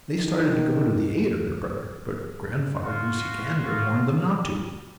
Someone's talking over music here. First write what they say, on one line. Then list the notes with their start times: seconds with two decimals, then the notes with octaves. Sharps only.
They started to go to the aid of their brother, but Grandfather Goosey-Gander warned them not to.
0.17 D#3
2.82 F4 F#4